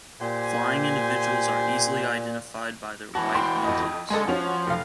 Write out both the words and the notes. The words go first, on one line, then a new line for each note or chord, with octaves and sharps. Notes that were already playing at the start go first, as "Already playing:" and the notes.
Flying individuals are easily identified by their white wingtips.
A#2 G4 C5 G#5
E3 F#4 A5
G5 C6
F2 D#5
D3 G#3 A4 D#5 G#5
F3 C#4 F#4
F1 F5